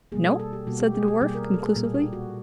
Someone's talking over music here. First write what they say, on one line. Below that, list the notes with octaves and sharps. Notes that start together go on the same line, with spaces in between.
"No," said the dwarf, conclusively.
B2 G3 A#3 G#4
A4
A4
G4
B2 G3 A#3 F#4
G4
G#4
G4
B2 G3 A#3 G#4
A#4
A4
G#4
A#2 G3 A#3 G#4
G4
F#4